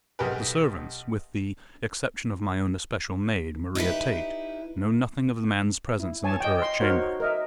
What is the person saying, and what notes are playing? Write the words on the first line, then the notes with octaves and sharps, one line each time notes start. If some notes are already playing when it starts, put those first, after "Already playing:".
The servants--with the exception of my own especial maid, Maria Tait--know nothing of the man's presence in the turret chamber.
B1 G4 G#4 A#4 B4
D#4 E4 G4 B4
E4
C#5 G#5 A5
D#5 G5
C6
D#4 F#4 A#4 C5 C#5 F#5
A#4 D#5 E5